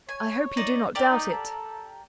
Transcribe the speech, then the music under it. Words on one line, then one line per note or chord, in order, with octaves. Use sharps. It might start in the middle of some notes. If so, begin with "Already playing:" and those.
"I hope you do not doubt it."
C#5 G#5
D#4 D5
G4 A#4 D5
D#4
A4